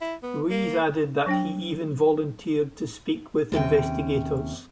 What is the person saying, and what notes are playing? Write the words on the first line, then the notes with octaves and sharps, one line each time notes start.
Ruiz added that he even volunteered to speak with investigators.
E4
B3
A#3
F#3 D4 G5
D#2 C3 C#4 G5